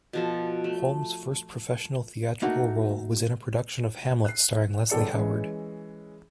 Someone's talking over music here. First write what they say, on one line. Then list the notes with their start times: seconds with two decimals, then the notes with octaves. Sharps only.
Holm's first professional theatrical role was in a production of "Hamlet" starring Leslie Howard.
0.13 B2 F3 A4
0.64 A3
2.42 A3 A#3 D#4 F#4
4.25 F#6 C7
4.90 G1 E2 A4 D5 C#7
5.13 E3 G#3 C#4